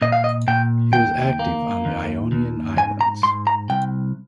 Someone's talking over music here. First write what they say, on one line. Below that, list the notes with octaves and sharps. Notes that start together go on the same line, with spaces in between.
He was active on the Ionian islands.
A#2 D#5
F5
D#5
A#2 G5
D#2 G5
A#3
D#2
D#2
G#2 G#5
A#5
G#2 C6
A#5
C2 G5